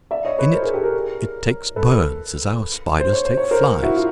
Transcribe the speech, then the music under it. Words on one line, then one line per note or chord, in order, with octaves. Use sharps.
In it it takes birds as our spiders take flies.
D5 E5
C#5 D#5
B4 C#5
A#4 C5
G#4 A#4
G4 A4
G#4 A#4
A4 B4
C5
C#5
C5
C#5
A#4 C5
E4 F#4
F4